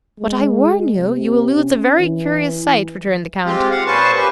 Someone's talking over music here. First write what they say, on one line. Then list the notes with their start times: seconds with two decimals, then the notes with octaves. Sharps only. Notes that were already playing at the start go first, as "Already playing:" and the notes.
"But I warn you, you will lose a very curious sight," returned the count.
0.20 G#3
0.98 C3
1.56 C#4
2.00 E3
3.46 G#3 C4 F4 G4
3.71 F5 F#5
3.87 A#2 C#4 B4 C5 A5 C#6
4.16 C#4 G4 B4